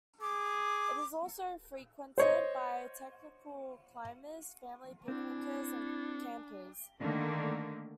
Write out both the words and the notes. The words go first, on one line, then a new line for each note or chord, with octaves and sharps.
It is also frequented by technical climbers, family picnickers, and campers.
G#4 D6
C5 C#5 D#5
C4 D4 E4
D3 D#3 A3 A#3 D4